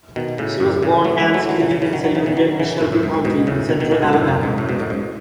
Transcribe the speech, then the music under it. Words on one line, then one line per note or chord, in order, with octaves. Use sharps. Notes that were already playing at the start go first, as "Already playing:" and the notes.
She was born Ann Steely in Siluria in Shelby County in central Alabama.
B2 D#3
A2 C#3
F#2 A2
A2 C#3
F#3 A3
E3 G#3
F#3 A3
D#3 F#3
C#3 E3
C#3 E3
C#3 E3
D#3 F#3
D#3 F#3
C#3 E3
B2 D#3
D#3 F#3
C#3 E3
F#2 A2
F#2 A2
G#2
G#2
G#2 B2
A2 C#3
B2 D#3
B2 D#3
A2 C#3
G#2 B2
F#2 A2
F#2
G#2
F#2 A2
G#2 B2
F#2 A2
G#2